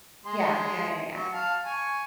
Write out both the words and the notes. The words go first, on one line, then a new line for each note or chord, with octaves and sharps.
Yeah. Yeah, yeah, yeah.
G#3 C6
F#3
F5 A5
G#5 C#6